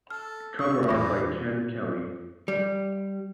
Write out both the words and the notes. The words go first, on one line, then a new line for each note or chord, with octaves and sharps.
Cover art by Ken Kelly.
A4 F6
C#6 E6
F2 A#2 D3 E3 G3 B5 A#6
G3